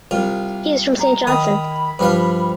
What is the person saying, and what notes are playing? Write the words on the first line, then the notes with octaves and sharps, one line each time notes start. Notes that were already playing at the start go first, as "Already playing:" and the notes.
He is from St Johnston.
C2 F4
A#5
D#3 B5 D#6
G2 F3 F5